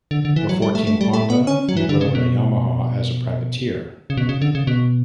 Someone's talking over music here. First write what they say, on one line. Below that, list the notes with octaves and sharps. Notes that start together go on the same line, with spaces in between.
Before team Honda, he rode a Yamaha as a privateer.
D3
D3
E3
F#3
G3
A3
A3
G3
A3
B3
C#4
F#3
E3
D3
C#3
B2
C#3
B2
C#3
D3
C#3
B2